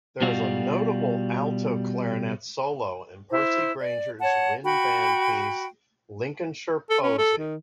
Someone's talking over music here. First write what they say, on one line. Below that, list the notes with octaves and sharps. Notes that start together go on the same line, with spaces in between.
There is a notable alto clarinet solo in Percy Grainger's wind-band piece "Lincolnshire Posy".
B2 G3 F4 F#4
E4 C5
D5
C#5 F#5 A5
F#4 G5 B5
A4
C#4
A4
D#3